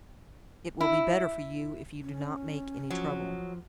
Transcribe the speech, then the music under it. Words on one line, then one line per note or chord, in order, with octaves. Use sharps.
"It will be better for you if you do not make any trouble."
E4
C#4
F3 F#3